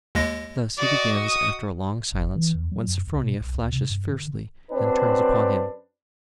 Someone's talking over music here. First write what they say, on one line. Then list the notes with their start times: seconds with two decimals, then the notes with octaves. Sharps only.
Thus he begins after a long silence, when Sophronia flashes fiercely, and turns upon him.
0.15 D#2 G#3 A#6
0.78 F#4 D5 D#5
1.28 D#6
2.12 G1
2.36 E3
2.55 E2
2.71 F#3
2.87 F#2
3.07 C#2
3.20 B2
3.41 C2
3.54 D2
3.72 C3
3.90 G2
4.12 D3
4.72 F#2 C4 D4 B4